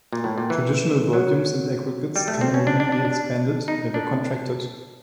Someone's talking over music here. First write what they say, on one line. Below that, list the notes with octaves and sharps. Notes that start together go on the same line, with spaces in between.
Traditional volumes and aggregates can only be expanded, never contracted.
A#2
A2
A#2
E3
F#3
G3
A3
C4
C#4
D4
D4
D4
D4
D#4
D4